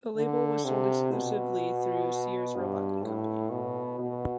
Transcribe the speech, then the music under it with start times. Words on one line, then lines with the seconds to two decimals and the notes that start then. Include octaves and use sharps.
The label was sold exclusively through Sears, Roebuck and Company.
0.17 D3
0.65 C3
1.12 B2
2.56 G2
3.04 A2
3.51 B2
3.99 B2